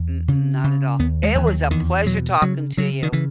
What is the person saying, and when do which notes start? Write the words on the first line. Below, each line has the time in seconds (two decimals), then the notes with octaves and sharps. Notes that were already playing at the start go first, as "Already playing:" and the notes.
Mm-mm, not at all, it was a pleasure talking to you.
Already playing: E2
0.28 C#3
0.64 C#3
0.99 D#2 B3
1.23 G#3
1.35 D#2 E3
1.47 F#3
1.71 E2 D#3
2.06 B2 F#3
2.42 C#3 F#3
2.77 C#3 F#3
3.03 D#3
3.12 C#3 E3